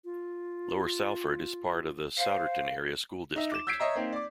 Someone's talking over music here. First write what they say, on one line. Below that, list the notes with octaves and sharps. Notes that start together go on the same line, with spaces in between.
Lower Salford is part of the Souderton Area School District.
F4
C5 F5
D#4 E5
D6 E7
E6 G6 G#6 B6 C7 D7
C#5 D#5 E5 A#5
A#3 C4 D#4
D5 D6